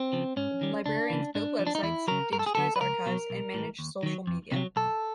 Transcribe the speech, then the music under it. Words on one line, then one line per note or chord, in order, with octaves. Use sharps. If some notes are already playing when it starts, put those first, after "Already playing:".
Librarians build websites, digitize archives, and manage social media.
Already playing: C4
C#3 F3
G#2 C#4
D#3 G3
C#2 D4
C#3 E3
G#2 D4
F3
D4
D#4
E2 E4
C#3 F#3 A#4
G2 A#4
A4
G#4
D3 F#3 A4
B4
C#2 A#4
B2 F#3
B1
A2 E3
D#2
D#3 F#3
F2
C3 D#3 F#3
B1 A4